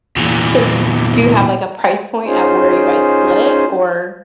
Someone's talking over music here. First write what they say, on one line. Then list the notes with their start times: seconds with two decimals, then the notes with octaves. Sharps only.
So d do you have, like, a price point at where you guys split it, or
0.17 E2 A#2
2.25 C#4 D#4 F4 G#4 C5